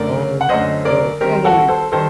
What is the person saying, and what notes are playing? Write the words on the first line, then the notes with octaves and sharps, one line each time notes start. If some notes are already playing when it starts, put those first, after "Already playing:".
Um, so, I don't really
Already playing: F#2 D3 A3 A#4 D5
F#5
F#2 D3 A3 C5 D#5
A#4 D5
D#3 G3 C4 G4 A#4
F#4 A4
A4 C5
D#3 G3 A4 C5